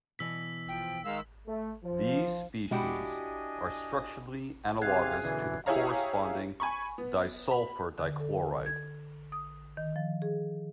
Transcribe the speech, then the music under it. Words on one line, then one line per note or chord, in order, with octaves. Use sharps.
These species are structurally analogous to the corresponding disulfur dichloride.
B2 E3 D#5 E6 B6
F3 G5
D#3 G#3 F5 E6
A3
F3
B2 G#3 D4 E4 F#4 G4 D#5 G#5
C3 G#4 F5 F#6 G#6 C7
F#2 B2 D3 E3
E4 G4 G#4 C#5 F5 A#5
G#5 B5 C#6
B3
B5
D3
A4
G#6
D#6
D#3
F3
G#4